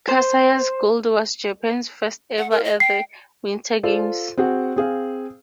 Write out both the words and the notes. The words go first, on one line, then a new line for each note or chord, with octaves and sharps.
Kasaya's gold was Japan's first-ever at the Winter Games.
C5
F#5
A#4
D#5
G5 C7
F4 A4 C5 D5
C4 F#4 G#4 F#5
C4 G#4 F5